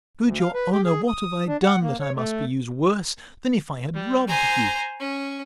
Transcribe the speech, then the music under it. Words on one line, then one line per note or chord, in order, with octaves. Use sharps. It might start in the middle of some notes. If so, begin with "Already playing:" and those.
Good your honour, what have I done, that I must be used worse than if I had robbed you?
D2
F5
B4
G4
G#4
D#6
D4
F#5
A#3
C#5
A3
G3
C5 G#5 A#5
C#4